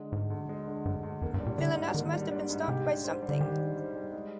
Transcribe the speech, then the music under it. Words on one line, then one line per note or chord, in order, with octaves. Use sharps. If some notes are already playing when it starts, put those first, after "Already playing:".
Villainess must have been stopped by something.
Already playing: D3 G#3
D2 G#2
D2
G#3
D3
D2 G2
D2
F2 A#3
G2
G3
A#2
D3 D4
G#2
D#3 A#3
G3
D4
G#2
C3 G4
D4
C5
G3
D3
D#3 G4
D4
C5
G3
G#3